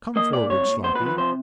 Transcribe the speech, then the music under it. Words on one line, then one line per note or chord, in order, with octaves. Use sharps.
'Come forward, Sloppy.
A#3 D#5
A#2 D5
C2 C#5
A#2
B3 C5
B4
F3
B4
C3 C5